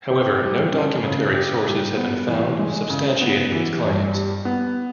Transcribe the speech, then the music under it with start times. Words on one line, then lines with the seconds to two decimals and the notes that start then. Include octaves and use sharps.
However, no documentary sources have been found substantiating these claims.
0.10 G4
0.42 G3
0.73 C#4
1.04 C#3
1.34 G4
1.66 G3
1.97 B3
2.28 E3
2.59 G#3
2.90 C#3
3.21 B3
3.52 E3
3.84 G2
4.15 G3
4.45 B3